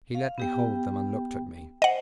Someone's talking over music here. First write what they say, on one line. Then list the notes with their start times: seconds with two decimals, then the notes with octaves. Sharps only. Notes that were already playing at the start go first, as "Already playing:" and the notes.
He let me hold them and looked at me.
0.14 F5
0.38 B3 G4 G5
1.82 C5 D#5 F#5